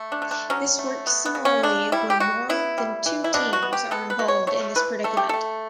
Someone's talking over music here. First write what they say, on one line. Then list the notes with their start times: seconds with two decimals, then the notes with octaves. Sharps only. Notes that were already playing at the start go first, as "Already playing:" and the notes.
This works similarly when more than two teams are involved in this predicament.
Already playing: A3
0.12 D4
0.22 D3
0.31 D4
0.50 F#3 C#4
0.79 A3
1.07 B3
1.26 B3
1.35 C#3
1.45 C#4
1.63 C#3 D4
1.92 G3 E4
2.10 G4
2.20 G3 F#4
2.49 B3 E4
2.78 G3
3.06 E3
3.24 E4
3.34 B2 D4
3.53 F#4
3.62 B3
3.73 G4
3.91 B3 A4
4.10 B4
4.19 B2
4.28 C#5
4.47 A3 C#5
4.76 E3 B4
5.04 A3 A4
5.17 G4
5.29 A3 A4